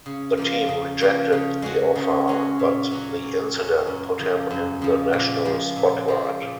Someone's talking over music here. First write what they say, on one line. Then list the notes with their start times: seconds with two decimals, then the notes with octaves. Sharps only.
The team rejected the offer, but the incident put him in the national spotlight.
0.06 C#3
0.37 F3 A#3 F4
0.69 C#3
1.01 F3 A#3 F4
1.32 C#3
1.62 G#3 C#4 F#4
1.95 C#3
2.28 G#3 C#4 F#4
2.59 A#2
2.91 F#3 C#4 F#4
3.23 A#2
3.55 F#3 C#4 F#4
3.87 F#2
4.18 C#3 F3
4.51 F#2
4.82 C#3 F3
5.13 A#2
5.45 F3 G#3
5.76 A#2
6.08 F3 G#3
6.41 A#2